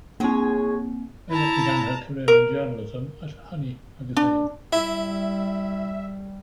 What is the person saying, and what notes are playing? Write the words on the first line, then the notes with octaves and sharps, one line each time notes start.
Bennett began her career in journalism at "Honey" magazine.
G#3 A#3 C4 G#4 C#5
E4 A5 A#5
A#4
D4
G3 E4 E5